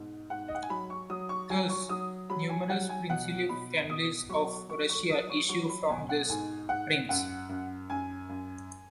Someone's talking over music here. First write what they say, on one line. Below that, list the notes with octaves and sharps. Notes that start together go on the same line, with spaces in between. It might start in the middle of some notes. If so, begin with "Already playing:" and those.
Thus, numerous princely families of Russia issue from this prince.
Already playing: G#2 B2
G#2 F#5
D#5
F#5
G#5
F#3 B5
C#6
F#3 D#6
C#6
F#3 G#5
C#6
F#3 D#6
F#3 B5
G#5
F#3 F#5
G#5
B2 F#5
B2 B5
B2 D#6
F#3 C#6
F#3 C#6
C#6
F#3 D#6
C#6
F#3 C#6
B5
B2 G#5
F#5
G#2 G#5
G#2 F#5
F#2 F#5
F#2
F#2 G#5
F#2